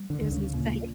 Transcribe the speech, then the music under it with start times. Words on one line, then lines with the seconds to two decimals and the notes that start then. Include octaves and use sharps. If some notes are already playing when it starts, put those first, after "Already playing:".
It was insane.
Already playing: G3
0.10 D3
0.21 D2
0.32 C#3
0.54 A#2 C#3